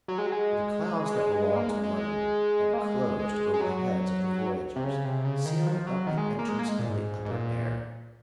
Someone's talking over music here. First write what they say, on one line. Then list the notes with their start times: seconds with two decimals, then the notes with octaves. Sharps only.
For the clouds that belonged to London had closed over the heads of the voyagers sealing up the entrance of the upper air.
0.08 F#3
0.18 G#3
0.26 F#3
0.32 G#3
1.56 A#3
1.69 G#3
1.83 G#3
1.96 G#3
2.73 A#3
2.78 G#3
3.19 G#3
3.54 G#3
3.61 F#3
4.76 C3
4.84 C#3
5.05 C3
5.25 C#3
5.45 D#3
5.67 F3
5.87 F#3
6.07 D#3
6.17 G#3
6.39 A#3
6.49 G#3
6.59 A#3
6.68 G#3
6.79 A#2
6.89 G#2
7.25 G#2
7.31 A#2